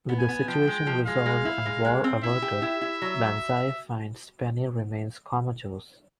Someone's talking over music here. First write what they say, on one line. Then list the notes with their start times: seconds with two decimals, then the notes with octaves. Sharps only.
With the situation resolved and war averted, Banzai finds Penny remains comatose.
0.09 B3
0.19 G#5
0.29 B3
0.48 F3 G5
0.67 G#3
0.87 F3
1.06 G#3 F5
1.26 G#3
1.45 E4
1.66 G#3
1.85 G#3
2.04 C4
2.23 E4 E5
2.42 G4
2.62 E4
2.81 E4
3.02 F#3